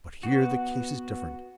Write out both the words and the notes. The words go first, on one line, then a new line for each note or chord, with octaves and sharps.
But here the case is different.
B3 F#4